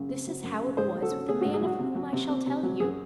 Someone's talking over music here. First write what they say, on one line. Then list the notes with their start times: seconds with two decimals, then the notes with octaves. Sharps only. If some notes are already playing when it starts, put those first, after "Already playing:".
This is how it was with a man of whom I shall tell you.
Already playing: F#2 C#3
0.09 C4
0.27 F#3
0.43 F#2
0.60 C#3
0.77 G#2 G#4 C5
0.95 F#3
1.02 F#4 A4
1.11 C#4
1.28 A3 G#4
1.41 F#4
1.45 G#2
1.54 G#4
1.61 F#3 F#4
1.79 C3
1.95 F#3
2.13 C3
2.29 C4
2.46 C3
2.63 F#3
2.80 F#2 G#4